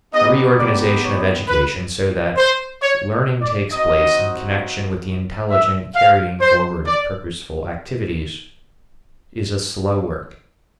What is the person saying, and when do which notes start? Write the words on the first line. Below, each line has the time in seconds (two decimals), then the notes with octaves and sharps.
A reorganization of education so that learning takes place in connection with the intelligent carrying forward of purposeful activities is a slow work.
0.13 B3 D#4 G4 D#5
0.57 D5
1.03 C#5
1.47 B4
2.37 C5
2.82 C#5
3.41 D5
3.71 C4 D#4 F#4 D#5
5.51 E5
5.95 F5
6.41 C5
6.85 D5